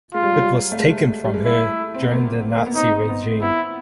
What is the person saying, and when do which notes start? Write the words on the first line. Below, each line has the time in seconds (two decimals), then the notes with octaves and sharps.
It was taken from her during the Nazi regime.
0.14 G#3 F4
0.23 G3
0.33 F#3
0.42 G3
0.72 A3
0.80 G#3
1.25 G3
1.34 G#3
1.45 A3 E4
1.94 C4
2.03 B3
2.11 A#3
2.57 A#3
2.66 B3
2.75 C4 D#4
3.00 C4
3.09 B3
3.41 B3 E4